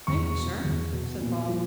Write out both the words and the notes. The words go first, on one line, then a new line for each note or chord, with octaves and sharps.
'Thankee sir,' said Bob.
E2 C#6
B2
E2
B2
A#2
F3